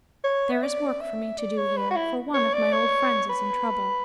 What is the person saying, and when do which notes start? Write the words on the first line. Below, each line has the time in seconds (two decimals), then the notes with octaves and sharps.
"There is work for me to do here, for one of my old friends is in trouble."
0.24 C#5
0.52 E5
0.63 D5
1.01 E5
1.38 D5
1.57 C#5
1.77 B4
1.91 F#4
1.96 E4
2.34 C#5
2.53 D5
2.72 C#5
3.29 B4